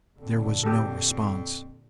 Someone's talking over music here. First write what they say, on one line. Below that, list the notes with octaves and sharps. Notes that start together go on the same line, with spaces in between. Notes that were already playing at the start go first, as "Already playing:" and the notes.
There was no response.
F2 A#2 D3
F2 G4 A4